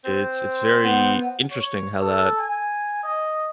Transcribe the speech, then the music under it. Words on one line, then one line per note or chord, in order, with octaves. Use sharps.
it's it's very interesting how that
C4 C5
B3 F#5
C#5
A4
G#5
D#5